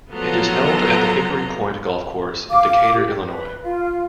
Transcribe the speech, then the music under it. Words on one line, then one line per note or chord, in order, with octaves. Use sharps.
It is held at the Hickory Point Golf Course in Decatur, Illinois.
F3 F#3 B3 A4 A#5 C6
F5 D6
G4
B4
F4